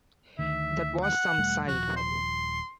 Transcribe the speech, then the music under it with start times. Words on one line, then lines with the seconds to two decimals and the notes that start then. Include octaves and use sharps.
That was some side.
0.39 D2 D#3 E5
1.03 F#5
1.38 E1 G3 A3
1.68 D#1 F3 F#4
1.96 C6